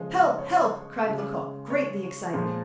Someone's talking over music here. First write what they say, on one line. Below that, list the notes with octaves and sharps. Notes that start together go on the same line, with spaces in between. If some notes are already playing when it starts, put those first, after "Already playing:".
"Help! help!" cried Lecoq, greatly excited.
Already playing: C#3 F3 G#3 D#5
C#5
C5
C#3 G#3
C#5
A#2 F3 G#3